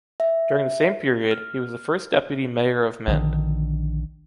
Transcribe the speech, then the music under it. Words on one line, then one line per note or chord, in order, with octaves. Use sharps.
During the same period, he was the first deputy Mayor of Mende.
E5
F6
A#1 D3 D#3